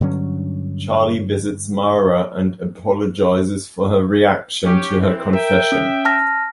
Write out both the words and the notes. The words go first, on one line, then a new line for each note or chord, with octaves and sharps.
Charlie visits Mara and apologizes for her reaction to her confession.
G2 D3 F#3 C#4
C#4 G4
E3 C4
A#4 E5 G5
C#4
A5 F6 A#6